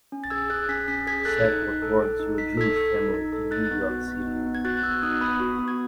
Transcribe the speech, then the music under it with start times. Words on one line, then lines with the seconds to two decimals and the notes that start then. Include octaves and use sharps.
Sack was born to a Jewish family in New York City.
0.12 C#4
0.24 A6
0.30 G#4 E6 G#6
0.50 G#4 F#6 A6
0.69 C#4 B6
0.88 C#4 B6
1.07 G#4 G#6 B6
1.25 A4 F#6 A6
1.44 D#4
1.63 D#4
1.82 A4
2.01 A4
2.20 D#4
2.38 D#4 B6
2.57 A4 G#6 B6
2.76 A4
2.95 D#4
3.14 D#4
3.33 A4
3.51 D#4 F#6 A6
3.71 B3
3.89 F#4
4.08 B3
4.27 D#4
4.46 B3
4.55 G#6
4.64 F#4 F#6 A6
4.77 F#6
4.83 B3 E6 G#6
5.02 D#4 D#6 F#6
5.21 B3 B5 D#6
5.40 F#4
5.59 B3
5.68 G#6